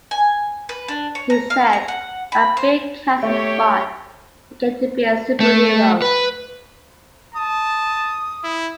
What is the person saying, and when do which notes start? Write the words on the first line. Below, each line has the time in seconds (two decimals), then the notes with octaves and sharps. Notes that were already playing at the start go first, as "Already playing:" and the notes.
He said, about being cast as Bot, I get to be a superhero.
0.11 G#5
0.69 B4
0.88 D4
1.15 C#5
1.30 A#5
1.50 F5
1.73 A#5
1.88 F#5
2.32 B5
2.57 C5
3.23 A3 G4 C#5
5.40 A3
6.02 B4
7.35 A5 D#6
8.44 E4